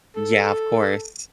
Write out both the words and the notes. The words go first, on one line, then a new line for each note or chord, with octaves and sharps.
Yeah. Of course.
A4